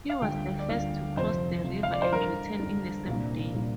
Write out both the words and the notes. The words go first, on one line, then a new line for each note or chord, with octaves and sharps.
He was the first to cross the river and return in the same day.
F5
D2 D3 G3 D4 F4 G5
D5
D2 D3 G3 D4 F4 F5
F2 C3 F3 C5
F2 C3 F3
F5
D5
C5
G2 D3 G3 D4 A#4
G2 D3 G3 D4
C2 A#2 G3 A#3 D4
A#2 G3 A#3 D4